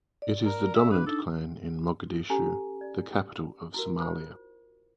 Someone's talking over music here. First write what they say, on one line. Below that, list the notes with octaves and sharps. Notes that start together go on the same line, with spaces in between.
It is the dominant clan in Mogadishu, the capital of Somalia.
D5
A#4
E5
D4 B4
D4 D#4 A4
C#4 G4 A4 G#5 A#5
D5
E4 F#4 A#4
F4 C5